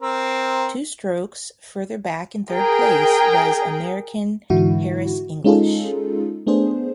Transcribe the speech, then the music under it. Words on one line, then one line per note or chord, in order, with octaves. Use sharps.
Two strokes further back in third place was American Harris English.
C4 A#4
G#4 A#4 G5
G#2 D3 E3 E4 F#4
G#3 C#4 D#4 F4 G#4 A4
A3 B3 D4 G#4 C5